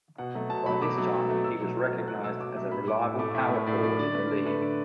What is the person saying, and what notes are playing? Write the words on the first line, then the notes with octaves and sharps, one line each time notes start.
By this time, he was recognized as a reliable power forward in the league.
B2 F#5
F#3 A3
B2 A5
F#3 A3 B5
B2 D6
F#3 A3
B2
F#3 A3
B2 E6
F#3 A3
B2
F#3
A3
B2 F#6
F#3 A3 E6
B2 D6
F#3 A3 E5
A2 B5
A3 D6
A2
A3 D6
A2 E5
A3
A2 D5
A3 D5
D3 D5
A3 B4
D3 D5
A3 B4
D3 D5